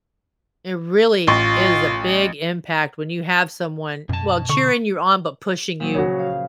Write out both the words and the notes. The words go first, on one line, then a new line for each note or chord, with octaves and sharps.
It really is a big impact when you have someone, well, cheering you on, but pushing you.
A1 F4 C#6
F#2 B2 A5
D3 C#6
A#2 F3 F#3
C#3 F#4 C#5
F5